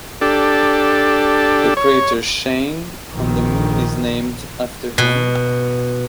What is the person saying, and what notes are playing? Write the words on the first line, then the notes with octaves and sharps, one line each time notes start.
The crater "Shayn" on the Moon is named after him.
D4 G4 A4
C#5
A#1 D#3
B2